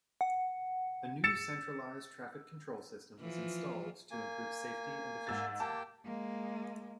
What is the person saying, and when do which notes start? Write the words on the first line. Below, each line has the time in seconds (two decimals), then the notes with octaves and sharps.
A new Centralized Traffic Control system was installed to improve safety and efficiency.
0.21 F#5
1.24 E6 A6 C#7 E7
3.20 E3 F3 F4
4.11 A#3 G#5
5.27 G#2 E6 A6
5.60 A#3 G4 G5 A5
6.05 G#3 A#3